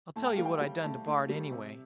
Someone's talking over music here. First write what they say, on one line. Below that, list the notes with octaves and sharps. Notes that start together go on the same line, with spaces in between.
I'll tell you what I done to Bard, anyway.
A2 A5
G5
G3 F5
G5
G3
A2 A5
A2
G3
C3